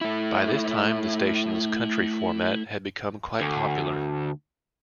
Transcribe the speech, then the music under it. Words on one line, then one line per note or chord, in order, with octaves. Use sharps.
By this time the station's country format had become quite popular.
A3 E4
D2